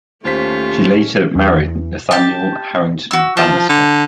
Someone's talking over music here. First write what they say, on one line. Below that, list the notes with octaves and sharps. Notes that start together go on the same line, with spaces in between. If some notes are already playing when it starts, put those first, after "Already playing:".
She later married Nathaniel Harrington Bannister.
D#2 A3 C#4 F4 G4 C5 B6
E2
G4 A5
F#4 E6
F3 A5
D3